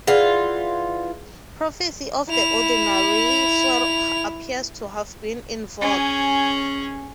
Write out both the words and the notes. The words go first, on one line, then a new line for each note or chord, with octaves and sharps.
Prophecy of the ordinary sort appears to have been in vogue.
E3 F4 G#4 D5 F#5
E4 F7
C#4 G#4